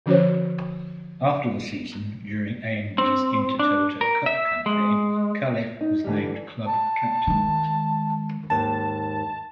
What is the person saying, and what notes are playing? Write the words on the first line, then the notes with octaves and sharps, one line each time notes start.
After the season, during AaB's Intertoto Cup campaign, Califf was named club captain.
D3 F3 C#4 F#4 C5 C#5
C4
D4
A#4
E5
G#3
D#4
D3 E3 F#3 G3
A5
D#3 G#3
D#2 G#2 A5